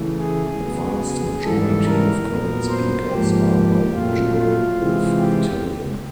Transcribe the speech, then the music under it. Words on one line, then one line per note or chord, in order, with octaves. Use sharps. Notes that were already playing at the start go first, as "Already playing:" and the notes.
The vast majority of current speakers are bilingual with Italian.
Already playing: C#3 E3 A3
G#4
C#3 F#3 B3
G#2 E3 G3 A4
A#4
A#2 F#3 B3
C5
G#2 F3 A#3 G4
A#2 F#3 A3 F4
F4
C3 E3 G#3 C4
G4